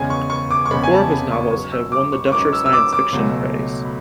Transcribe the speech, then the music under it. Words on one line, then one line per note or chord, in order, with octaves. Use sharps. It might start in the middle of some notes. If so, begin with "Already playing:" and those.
Four of his novels have won the Deutscher Science Fiction Preis.
Already playing: E2 C#3 G#3 C#4 G#5
C#6
C#6
D6
C#6
E2 C#3 G#3 C#4 B5
G#5
A5
B5
C#6
G#2 F#3 C#4 C#6
E6
D6
C#6
C#6
G#2 F#3 C#4 D6
E6
E6
D6
D6
C#2 B2 F#3 A3
B5